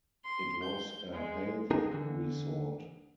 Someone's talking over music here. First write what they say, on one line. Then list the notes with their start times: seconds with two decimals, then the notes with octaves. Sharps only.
It was a health resort.
0.24 C6
0.63 G6
1.13 G#3
1.71 B3 C4 D#4 G#4 A#4
1.92 D3 E3